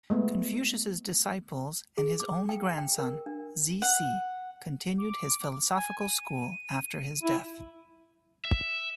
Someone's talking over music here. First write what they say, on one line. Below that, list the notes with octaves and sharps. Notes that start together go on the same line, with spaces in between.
Confucius's disciples and his only grandson, Zisi, continued his philosophical school after his death.
G#3 A3 B3
G#4
D6
G5
G5
A#4
D4
F#5
D6
G#5
D#7
E4
E5